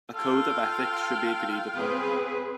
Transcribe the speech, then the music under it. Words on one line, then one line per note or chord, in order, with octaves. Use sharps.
A code of ethics should be agreed upon.
F4 A4 G5 F6
C4 G#4 B4